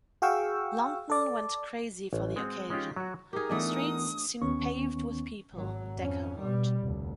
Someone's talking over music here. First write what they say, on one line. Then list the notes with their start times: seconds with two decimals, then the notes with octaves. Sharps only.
London went crazy for the occasion: “Streets seemed paved with people,” Dekker wrote.
0.22 F#4 G#4 F5 G5 C#6 E6
1.10 A4 D5
2.13 A1
2.36 G#3 C4 F#4
2.70 G#3 C#4 D#4 F4 G4
2.96 F#3 F#4
3.33 D#4 G4 G#4 A#4
3.49 E2 E3 A3 D4 D#5 D#6
4.42 D#2 D#3 B3 C#4 C#6
5.54 G#1 F#3
5.97 F2 C#4
6.40 B2 G3
6.82 F1 D2